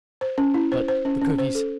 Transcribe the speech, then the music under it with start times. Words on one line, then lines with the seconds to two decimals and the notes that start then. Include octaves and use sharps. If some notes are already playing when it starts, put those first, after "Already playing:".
But the cookies!
0.21 C5
0.38 C#4
0.54 E4
0.72 C5
0.88 C5
1.05 C#4
1.22 C#4
1.38 C5
1.55 A4